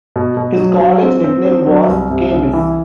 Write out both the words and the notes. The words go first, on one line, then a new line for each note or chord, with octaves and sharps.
His college nickname was Scabies.
B2
B2
F#3
F#3
C4
C4
C4
F#3
C2
C3
C2
E3